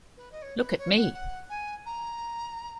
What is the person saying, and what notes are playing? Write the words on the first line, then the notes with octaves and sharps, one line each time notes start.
Look at me!
B4
D#5
C#5
B4
C#5
F#5
F#5
G#5
A#5